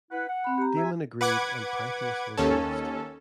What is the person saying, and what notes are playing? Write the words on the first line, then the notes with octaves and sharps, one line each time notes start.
Damon agreed, and Pythias was released.
E4 B4 F#5
F#5
C4 B5
G4 A#5
E5 G#5
B4 F#5 D6 G#6
D#2 C#4 A4